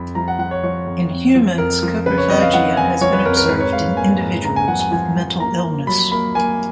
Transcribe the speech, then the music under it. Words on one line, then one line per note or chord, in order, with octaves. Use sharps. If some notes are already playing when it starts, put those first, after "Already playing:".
In humans, coprophagia has been observed in individuals with mental illness.
Already playing: F2 F3 B5
F3 A#5
F#5
F3 F#5
C#5
F3 C#5
F2
F2
F3
F2 A#4
F3
C#3 B4
C#5
F2 D#5
F5
F3 F#5
F2 G#5
F3 C#5
B4
F2 A#4
A#4
G#2 B4
C#5
G#2 F5
A#3 G#5
G#2
A#3 A#5
G#5
F3 F#5
G#5
F3 G#5
F3
A#3 A#5
A#3
F#3 B5
A#3 B5
A#3 G#5